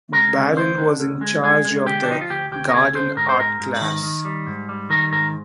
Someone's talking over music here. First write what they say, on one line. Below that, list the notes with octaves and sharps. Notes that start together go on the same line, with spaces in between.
Baron was in charge of the "Garden Art Class".
G#3 A#4
D2
D2 C5
D3
D2
G#3
G#3 G#4
G#3
D3 G4
D4
F3 D#4
F4
D2 G4
D2 G4
A#4
D2 G#4
D3 C5
G#2 A#4
C5
G#2 A#4
G#2
D#3
D#3
G3
G#2
G3
D#3 A#4
G#2 A#4